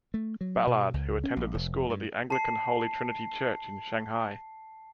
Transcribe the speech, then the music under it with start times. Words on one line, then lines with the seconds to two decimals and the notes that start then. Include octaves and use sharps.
Ballard, who attended the school at the Anglican Holy Trinity Church in Shanghai.
0.14 A3
0.41 F#3
0.67 B2
0.94 C#2
1.24 C#4
1.36 A#1
1.54 F1
1.89 G2
2.30 A5 C7